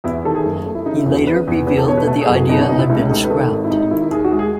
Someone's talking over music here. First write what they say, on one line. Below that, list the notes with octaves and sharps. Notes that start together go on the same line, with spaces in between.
He later revealed that the idea had been scrapped.
E2 E4
D#3 A4
G#4
F#1
A3
E4
C#3 D#4
E4
E2
F#4
C#3 B4
E2
E2 B4
A4
B2 C#5
B4
A3 A4
G#4
F#1
F#4
B2 D#4
C#4
B2 D#4
E4
C#2 E4
C#4
A3 D#4
D#4
B4
D#3 A4
G#1
E4
G#1 D#4
D#4
D#3 E4
E4
D#2 G#4
F#4
G#3
G#4